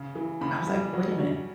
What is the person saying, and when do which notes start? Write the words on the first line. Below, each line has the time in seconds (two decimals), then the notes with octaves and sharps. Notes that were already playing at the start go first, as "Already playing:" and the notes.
I was like, "Wait a minute."
Already playing: C#3
0.15 E3
0.41 C#3 B5
0.67 G3
0.93 F#3
1.19 F#3